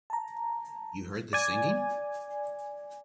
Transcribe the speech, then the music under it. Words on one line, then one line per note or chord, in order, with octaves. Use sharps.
You heard the singing?
A5 A#5
D5 G#5